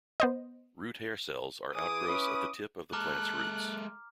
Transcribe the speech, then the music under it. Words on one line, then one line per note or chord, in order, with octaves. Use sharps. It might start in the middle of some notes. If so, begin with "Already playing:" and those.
Root hair cells are outgrowths at a tip of the plant's roots.
B3 C5 D#5
E3 G#4 D6 D#6
C#4 E4 B4
G#3 A4 A#5 D6 F6 F#6